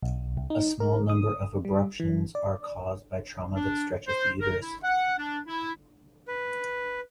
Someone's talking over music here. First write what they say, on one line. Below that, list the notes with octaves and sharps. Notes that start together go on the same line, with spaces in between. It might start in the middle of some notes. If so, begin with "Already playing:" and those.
A small number of abruptions are caused by trauma that stretches the uterus.
B1
C2
D#4
A#4
D#6
G3
E3
D5
D4
C5
A#4
E4
F#5
D4
E4
B4